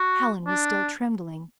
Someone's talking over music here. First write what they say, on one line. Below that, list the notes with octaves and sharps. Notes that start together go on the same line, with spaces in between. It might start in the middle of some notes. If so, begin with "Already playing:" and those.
Helen was still trembling.
Already playing: F#4
D4